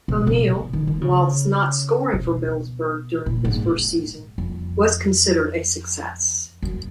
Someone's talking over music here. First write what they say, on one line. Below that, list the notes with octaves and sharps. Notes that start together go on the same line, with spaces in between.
O'Neil, whilst not scoring for Middlesbrough during his first season, was considered a success.
B2
B2
D#3
D#3
C#3
B2
A#2
G#2
F2
F#2